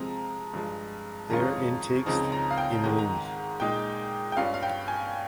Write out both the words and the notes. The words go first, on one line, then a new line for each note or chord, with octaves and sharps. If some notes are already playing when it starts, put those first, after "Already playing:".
Air intakes in wings.
Already playing: C3 F3 G#3 C4 A#5
G2 F3 G#3
F2 D#3 G#3 C#4 F4 A#5
C#2 C#3 F3 C4 D#4 A#5
A#5
F5
G5
G#2 D#3 G#3 A#5
A#5
A#2 G#3 D#4 G5
G5
G2 G3 C#4 F4 F5
F5
G5
G#5